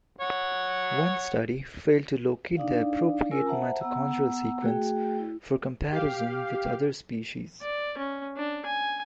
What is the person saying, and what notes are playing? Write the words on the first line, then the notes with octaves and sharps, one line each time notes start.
One study failed to locate the appropriate mitochondrial sequence for comparison with other species.
C#5 F#5
D4 D#4 D5 F5
C#4 F4 A#4 G#5 E6
C5 E5 F#5 A5 A#5
B3 F#5 A#5 E6
A3 F#4 G#4 G5
E4
G4 F5
D5
C#4
D4
G#5